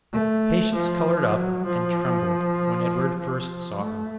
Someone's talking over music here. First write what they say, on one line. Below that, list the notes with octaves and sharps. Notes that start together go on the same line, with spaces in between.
Patience colored up and trembled when Edward first saw her.
A3
F3
F#3
F3
F3
A3